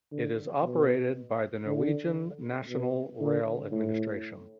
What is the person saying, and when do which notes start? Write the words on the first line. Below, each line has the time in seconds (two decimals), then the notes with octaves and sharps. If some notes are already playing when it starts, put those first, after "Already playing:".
It is operated by the Norwegian National Rail Administration.
0.12 D3
0.63 B2
1.66 D3
2.69 B2
3.21 D3
3.72 A2